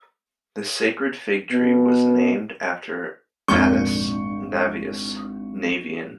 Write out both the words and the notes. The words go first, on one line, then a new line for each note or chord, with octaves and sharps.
The sacred fig-tree was named after Attius Navius: Navian.
B2
G#1 F2 A#2 D4 C#6 G6